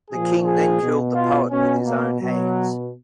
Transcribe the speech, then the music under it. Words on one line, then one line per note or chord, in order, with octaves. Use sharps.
The king then killed the poet with his own hands.
A#2 F3 G#4
G#4
B2
F4
B2 C#4
A#3
B2 F#3